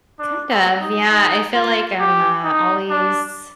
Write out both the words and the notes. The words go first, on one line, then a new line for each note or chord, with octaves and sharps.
Kind of, yeah. I feel like I'm, uh, always,
D4
C4
D#4
D#4
F4
G4
D#4
D4